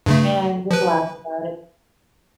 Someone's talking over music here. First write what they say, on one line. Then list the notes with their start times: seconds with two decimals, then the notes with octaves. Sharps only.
and just laugh about it.
0.06 G2 C#3 A3
0.71 F3 B4